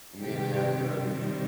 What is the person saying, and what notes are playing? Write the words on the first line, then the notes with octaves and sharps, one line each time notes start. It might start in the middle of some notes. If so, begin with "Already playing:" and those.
Immediately after the Revolution.
C3 D#3 G3 G4